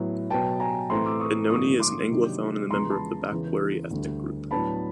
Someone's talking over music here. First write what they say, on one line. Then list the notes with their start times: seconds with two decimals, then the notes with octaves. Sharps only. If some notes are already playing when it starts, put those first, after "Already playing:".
Inoni is an Anglophone and a member of the Bakweri ethnic group.
Already playing: A2 F#3 B3 E4
0.30 B2 F#3 B3 G5 A5
0.60 G#5 A#5
0.90 A2 E3 A3 C4 A#5 C6
1.06 D6 E6
1.20 C#6 D#6
1.50 G2 D3 F3 A#3 D#4 C#6 D#6
1.80 C6 D6
2.11 C3 D#3 F#3 A#3 D4
2.71 E2 C#3 F3 G#3 B3 A#5 C6
2.91 A5 B5
3.31 E2 C#3 E3
3.91 D2 D3 G3
4.51 A2 F#3 B3 D4 A5 B5